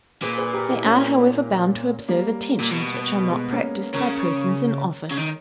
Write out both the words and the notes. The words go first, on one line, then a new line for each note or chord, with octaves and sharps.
They are however bound to observe attentions which are not practised by persons in office.
A#2 G#4 B4
G#4 B4
G4 A#4
E4 G#4
A#3 C#4
G3 A#3
A#2
B2
G#3 B3
A#3 C#4
C#3 A#4 C#5
C#3
D#3